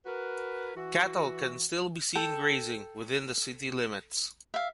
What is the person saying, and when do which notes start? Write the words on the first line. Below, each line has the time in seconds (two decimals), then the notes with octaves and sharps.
Cattle can still be seen grazing within the city limits.
0.06 F#4 A#4 B4
0.76 E3 F#4
2.15 A4 G5
4.54 E5 F5